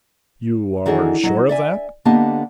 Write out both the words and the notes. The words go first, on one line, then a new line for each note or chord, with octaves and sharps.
"You are sure of that?"
D#3 E3 D4 F#4 G#4 A4
F#3 D#5
D5 E5 G#5
D3 A#3 B3 G4 D#5 A5